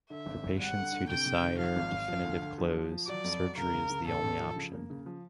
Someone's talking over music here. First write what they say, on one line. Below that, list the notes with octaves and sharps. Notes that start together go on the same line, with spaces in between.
For patients who desire definitive close, surgery is the only option.
D3 E5
G#1
G#1
G3 F#5
D3
D3
C3 G5
C3
D#3
F3 F5
G#1
G#1
F3
D2
D2
F3
F3
F3
F#3 D5
F2
F#3
C#2 A#4
C#2
C#3
A2 A4
A1
F3
C#3
A#3
C#3
F3